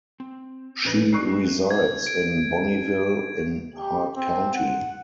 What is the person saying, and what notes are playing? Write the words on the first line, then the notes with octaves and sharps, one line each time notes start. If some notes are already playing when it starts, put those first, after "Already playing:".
She resides in Bonnieville in Hart County.
C4
A#1 C#4 B4 A#6
G#3 G#4 D5 C#6 F#6 C7
G4 G#4 E5
G#6
D7
G4
C4
F#5